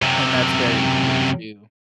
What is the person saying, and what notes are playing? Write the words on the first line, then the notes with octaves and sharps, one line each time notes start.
And that's very true too.
F#2 C3